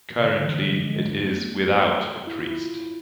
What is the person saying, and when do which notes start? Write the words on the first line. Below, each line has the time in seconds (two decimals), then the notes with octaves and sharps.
Currently it is without a priest.
0.16 C3
0.23 D3
0.44 E3
0.64 G#3
0.75 F3
0.86 G#3
0.98 G#3
1.05 A3
1.24 B3
2.27 E4
2.38 F4
2.48 E4